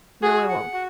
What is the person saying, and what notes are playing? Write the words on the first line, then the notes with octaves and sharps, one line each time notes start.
No, I won't.
F#4 G#4
F#5
F#4